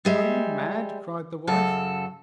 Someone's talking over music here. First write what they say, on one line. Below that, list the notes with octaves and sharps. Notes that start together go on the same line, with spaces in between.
'Are you mad?' cried the wife.
G3 G#3 E5
F#2 C#3 A4 A5